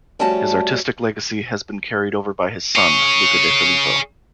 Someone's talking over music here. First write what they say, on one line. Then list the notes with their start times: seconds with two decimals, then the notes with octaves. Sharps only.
His artistic legacy has been carried over by his son Luca De Filippo.
0.19 F3 G3 A3 C#4 F#4 A5
2.76 G#4 C#5